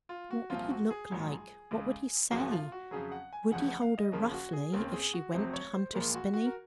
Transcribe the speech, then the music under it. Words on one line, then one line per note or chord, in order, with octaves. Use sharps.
What would he look like, what would he say, would he hold her roughly, if she went to Hunter's Spinney?
F4
F#4
C2 A#2 F3 C4 F4
F#4
G#4
A#1 G#2 F#3
C#2 C#3 G#3
G#1 F#2 C#3 F3 A#3 F#4
F4
F#4
F2 C#3 F#3 G#4
F#5
G#5
F1 F2 C#3 F#5
F#5
F5
D#5
D#2 C#3 F3 A#4
F#4
G#4
D#2 C#3 G#3 C4 A#4
G#4
F#4
F1 F2 C3 F#3 C4 C5
C#5
C5
A#1 A#2 G#3 A#4
F#4
F#4
A#4